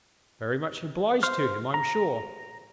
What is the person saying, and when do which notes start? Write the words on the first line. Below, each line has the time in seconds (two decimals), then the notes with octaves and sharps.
'Very much obliged to him, I'm sure.
1.23 C5 F6
1.74 A#5